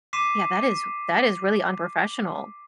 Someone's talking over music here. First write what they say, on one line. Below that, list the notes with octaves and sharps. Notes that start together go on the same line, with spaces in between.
Yeah, that is that is really unprofessional.
C6 D6 B6 C7 D#7 E7